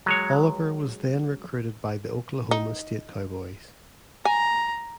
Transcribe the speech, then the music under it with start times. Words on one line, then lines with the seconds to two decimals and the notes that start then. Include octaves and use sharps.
Oliver was then recruited by the Oklahoma State Cowboys.
0.06 F#3 G#3 C#5
2.51 D#4
4.25 G#5 A#5